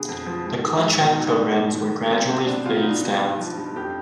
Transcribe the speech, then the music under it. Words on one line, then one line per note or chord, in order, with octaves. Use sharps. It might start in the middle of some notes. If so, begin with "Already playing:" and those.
The contract programs were gradually phased out.
Already playing: B2 D3 G#4
F2
F3
G#2
D#3
G#2
B2 D#4
B2
D4
B2
G#2
D#3
G#2
B2 C4
B2 C4
B2 D4
B2 F4
D#4
B2
D4
B2 D#4
G2
F3
G2
F2 G4